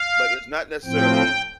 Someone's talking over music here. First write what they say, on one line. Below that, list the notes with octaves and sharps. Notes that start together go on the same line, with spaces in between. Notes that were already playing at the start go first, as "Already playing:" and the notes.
but it's not necessarily,
Already playing: F5
A2 F3 C4 G5